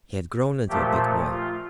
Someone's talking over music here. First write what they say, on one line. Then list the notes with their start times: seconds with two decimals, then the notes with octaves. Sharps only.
He had grown into a big boy.
0.68 A#2 F3 A3 G4
1.30 F4